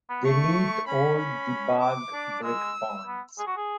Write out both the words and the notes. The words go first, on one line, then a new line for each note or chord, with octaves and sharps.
Delete all debug breakpoints.
B3
A3 C#6
C#4 B5
B5
D6
D4
G#3 E6
B3
G#4
F#4
G#4